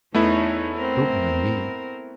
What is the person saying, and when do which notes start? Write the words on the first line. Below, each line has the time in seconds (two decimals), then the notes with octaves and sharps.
"Don't mind me."
0.14 E2 A3 B3 C#4 D#4 E4
0.77 C4 A#4